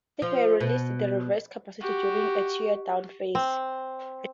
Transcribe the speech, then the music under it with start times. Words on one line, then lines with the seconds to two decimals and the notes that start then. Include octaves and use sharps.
It may release the reserved capacity during a tear down phase.
0.22 F3
0.61 B2
1.80 F#4 G4
3.35 C4